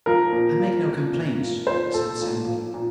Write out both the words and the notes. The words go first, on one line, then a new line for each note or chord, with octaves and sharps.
"I make no complaint," he said sadly.
F3 A#4
A#2
F3
F3
A#2
F3
F3 C5
A#2 A4
A#2
F3
A#2